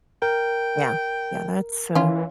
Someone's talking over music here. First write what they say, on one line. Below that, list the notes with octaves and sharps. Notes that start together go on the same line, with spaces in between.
Yeah. Yeah, that's, uh
A#4 G5
E3 C#4 F4